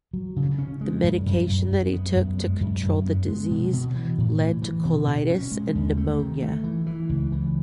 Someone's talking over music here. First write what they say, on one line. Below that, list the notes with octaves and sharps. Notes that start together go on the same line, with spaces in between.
The medication that he took to control the disease led to colitis and pneumonia.
F#3
C#3
C#4
G#3
F#2
F#2
F#2
F#2
B3
F#2
G#3
F#2
F#2
B3
G#3
B2
B2
E3
A2
E3
E3
B2
B2
C#4
G#3
D#2
A3
D#3
A3
E3
E3
C#2
E3